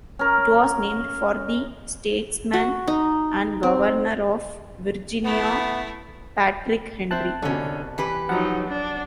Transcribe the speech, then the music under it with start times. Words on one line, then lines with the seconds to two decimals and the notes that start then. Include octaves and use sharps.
It was named for the statesman and governor of Virginia Patrick Henry.
0.19 C#4 A#4
2.53 F#4
2.88 D#4
3.63 C4
5.24 A3 B3 E4
7.11 C4 C5 E5 A5 F#6
7.42 C2 B2 D3 C#4
7.98 E3 G4 B4
8.29 F3 F#3 D#4 F#5 A#5
8.68 D4